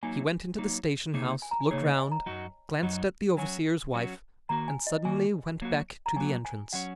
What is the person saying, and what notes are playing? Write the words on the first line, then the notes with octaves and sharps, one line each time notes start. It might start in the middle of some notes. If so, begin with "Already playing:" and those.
He went into the station house, looked round, glanced at the overseer's wife, and suddenly went back to the entrance.
F#3 A#3 D#4 G#5
F#3 A#3 D#4
C#3 A#3 D#4 G#4
G#5
A#5
G#5
C#3 A#3 D#4 G#4 C#5
D#5
G#5
A#5
F#2 F#3 D#4 F#4
F#2 F#3 D#4 F#4
F#3 C#4 F#4 G#5
F#3 C#4 F#4
D#3 A#3 F#4 A#5
G#5
D#5
D#3 A#3 F#4 G#5
F#3 A#3 F#4
A#5
F#3 A#3 F#4 G#5
G#5
F#3 C#4 F#4 F#5